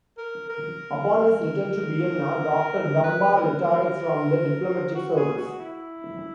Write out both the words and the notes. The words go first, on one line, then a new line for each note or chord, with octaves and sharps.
Upon his return to Vienna, Doctor Dumba retired from the diplomatic service.
A#4
A#4
B4
A#4
A#4
F#4
G#4
F#4
E4